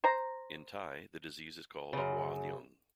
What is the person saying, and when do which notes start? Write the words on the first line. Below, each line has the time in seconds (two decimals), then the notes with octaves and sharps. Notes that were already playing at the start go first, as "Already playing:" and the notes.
In Thai, the disease is called "Hua leung".
0.04 C5 A#5
1.93 F#2 C#3